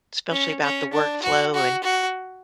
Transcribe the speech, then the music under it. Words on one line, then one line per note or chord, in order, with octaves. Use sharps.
especially about the work flow and
C#4
C#4
D4
F#4
F#4
F#4